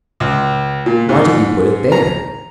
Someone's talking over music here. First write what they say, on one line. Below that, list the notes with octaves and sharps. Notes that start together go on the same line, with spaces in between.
Why did you put it there?
C#2
A#2
G#2
A#5